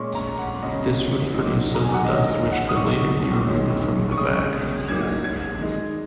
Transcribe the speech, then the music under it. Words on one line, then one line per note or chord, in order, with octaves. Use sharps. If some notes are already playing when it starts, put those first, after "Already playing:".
This would produce silver dust, which could later be removed from the bag.
Already playing: A#2 G#3 C#4 C#6
A#5
F#5
C#3 G#3 C#4 D#5
A#2 F#3 A#3 D#4
A#5
G#5
F#5
D#3 G#3 C#4 D#5
D#5
F#5
D#6
A#2 F#3 D#4 C#6
D#3 G#3 C#4
C#6
C#3 G#3 C#4 D#6
F#3 A#3 D#4 G#6
G#6
D#3 G#3 D#4